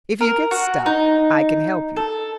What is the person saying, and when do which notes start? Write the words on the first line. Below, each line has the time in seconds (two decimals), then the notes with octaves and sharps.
If you get stuck I can help you.
0.21 A#4
0.51 F#4
0.86 D#4
1.96 A4